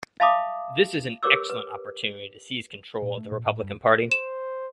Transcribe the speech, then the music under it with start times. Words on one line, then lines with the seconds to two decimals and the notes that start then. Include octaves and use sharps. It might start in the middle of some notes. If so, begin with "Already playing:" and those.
This is an excellent opportunity to seize control of the Republican Party.
0.20 E5 F5 A5 B5 D6 D#6
1.23 G4 A#4 B4 C#5 D6 E6
1.50 B4
3.02 A#2
3.18 A3
3.32 A#2
3.47 A2
3.63 G2
4.12 C5 E7